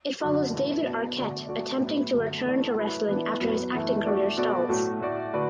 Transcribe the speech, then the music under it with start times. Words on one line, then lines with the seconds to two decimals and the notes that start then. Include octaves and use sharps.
It follows David Arquette attempting to return to wrestling after his acting career stalls.
0.20 F#2 D3 F#3 D4 F#4
0.53 A2 E3 A3
0.85 B2 B3 D4
1.16 D3 A3 F#4 D5
1.49 B2 A3 F#4 D5
1.81 A2 F#3 B3 E4
2.13 F#2 D3 A3
2.45 E3 A3 E4 D5
2.77 F#3 A3 E4 B4
3.09 E3 B3 D4
3.40 F#2 F#3 B3
3.73 F#2 E3 A3
4.05 A3 D4 F#4 A4 D5
4.37 B2 B3 F#4 A4 D5
4.69 A2 F#3 A3 F#4
5.01 A2 A3 F#4 D5
5.33 D3 A3 F#4 B4 D5